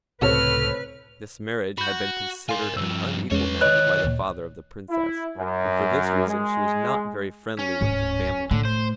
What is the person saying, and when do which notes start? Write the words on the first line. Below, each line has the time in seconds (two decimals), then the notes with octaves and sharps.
This marriage had been considered an unequal match by the father of the Princess, and for this reason she was not very friendly with the family.
0.22 C#2 A2 C3 C4 A4 B4 C#5 F6
1.78 F#4 B5 G6
2.49 A#4 F5 G#5 C6
2.77 G2 F3 E6
3.31 E2 G#3 C#4 B4 C#5
3.61 D#3 E3 B4 C#5 D#5 F#6
4.04 D2 A#2
4.90 E4
5.37 F#2
6.27 G#3
7.59 C#4
7.81 D1 G#2
8.51 A2 D3 A3
8.65 C5